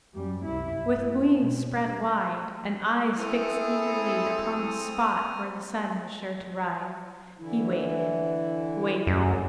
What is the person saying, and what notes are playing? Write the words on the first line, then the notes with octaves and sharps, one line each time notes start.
With wings spread wide, and eyes fixed eagerly upon the spot where the Sun was sure to rise, he waited, waited.
F#2 G3
C2 E4
G2
B2
C4 E4 G#4 A4 D#6 F6
D3 E3 E4
F#2 C#3 A3